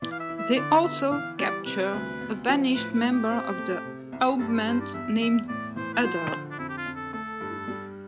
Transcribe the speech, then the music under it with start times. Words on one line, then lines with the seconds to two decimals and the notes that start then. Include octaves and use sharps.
They also capture a banished member of the Augments named Udar.
0.02 E3 D5
0.11 F5
0.20 E5
0.29 E4
0.38 E5
0.56 D3 D5
0.84 B3 E5
1.11 E3 F5
1.39 G3 D5
1.65 C3 B4
1.93 D2
2.21 B3
2.48 F3
2.75 A2 B4
2.93 B4
3.03 A2
3.13 G4
3.30 C4
3.58 A3
3.85 C3
4.12 C2
4.39 G2 A4
4.48 D5
4.53 C5
4.67 G2 C5
4.80 D5
4.94 E2 E5
5.21 E2 E5
5.48 A2 D5
5.76 E3 C5
5.94 B4
6.03 F3 C5
6.31 D3
6.51 D4
6.58 F2 E4
6.69 G4
6.77 F4
6.86 F2
6.96 A4
7.13 A3 A4
7.41 G2
7.68 G3